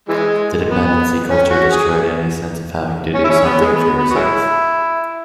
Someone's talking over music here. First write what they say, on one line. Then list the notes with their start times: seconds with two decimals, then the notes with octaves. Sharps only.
The dependency culture destroyed any sense of having to do something for yourself.
0.09 E3 G#3
0.70 B3
1.30 C#4
1.51 F#4
1.72 G#4
3.15 C#4
3.24 E4
3.30 C#4
3.45 B3
3.61 G#3
3.76 B3
3.96 B3
4.10 F#4
4.16 G#3 C#4 E4